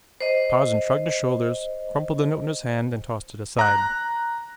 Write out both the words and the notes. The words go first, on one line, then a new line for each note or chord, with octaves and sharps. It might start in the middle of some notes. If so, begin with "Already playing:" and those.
Tarzan shrugged his shoulders, crumpled the note in his hand and tossed it aside.
C5 D#5
A#5 F#6